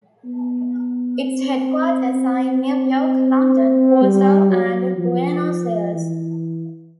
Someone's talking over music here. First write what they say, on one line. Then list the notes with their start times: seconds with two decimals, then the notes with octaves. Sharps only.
Its headquarters are in New York, London, Warsaw and Buenos Aires.
0.25 B3
1.20 C4
2.14 C4
4.03 G3
4.51 F#3
4.98 F3
5.93 E3